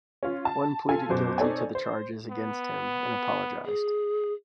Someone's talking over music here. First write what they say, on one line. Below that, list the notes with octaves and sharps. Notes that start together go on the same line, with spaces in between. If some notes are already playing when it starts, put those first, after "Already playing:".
One pleaded guilty to the charges against him and apologised.
C#4 F4
A5
F4 A4 G#5 A5
F#2 B2 C5 D6
C4 D#4 A4 C#5 D5 G#5
C5
B3
G#4